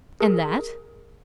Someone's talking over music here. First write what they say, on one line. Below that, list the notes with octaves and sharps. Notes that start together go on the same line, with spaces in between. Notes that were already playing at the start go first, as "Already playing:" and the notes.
"And that?"
G#4 A#4